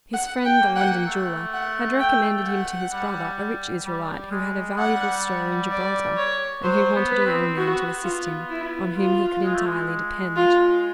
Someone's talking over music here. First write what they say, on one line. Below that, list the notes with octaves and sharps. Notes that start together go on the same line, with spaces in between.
His friend, the London jeweller, had recommended him to his brother, a rich Israelite, who had a valuable store in Gibraltar, and who wanted a young man to assist him, on whom he could entirely depend.
F#5
G5
A#3
F#5
A3
F#5
G5
F#5
G3
G3
G#3
G3 F#5
D5
C#5
F#3 C5
B3
B4
C4
B3 F#4
F4
E4
F4
G#3
A3
G#3
F4